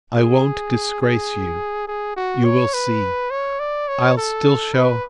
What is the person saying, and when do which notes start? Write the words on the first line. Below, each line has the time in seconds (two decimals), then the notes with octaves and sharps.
I won't disgrace you, you will see; I'll still show....
0.16 G#4
1.02 G#4
1.88 G#4
2.16 F#4
2.45 C#5
2.74 B4
3.31 C#5
3.60 D5
3.88 C#5
4.17 A4
4.74 B4